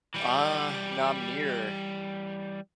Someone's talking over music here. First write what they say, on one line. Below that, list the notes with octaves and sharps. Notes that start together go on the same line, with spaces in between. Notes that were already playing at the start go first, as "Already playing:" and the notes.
Uh, no, I'm near
E3 G3